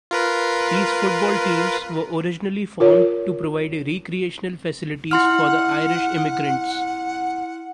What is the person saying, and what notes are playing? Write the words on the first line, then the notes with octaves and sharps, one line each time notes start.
These football teams were originally formed to provide recreational facilities for the Irish immigrants.
F4 A#4 B4
F4 A#4 C#5
E4 F#5 C6 F6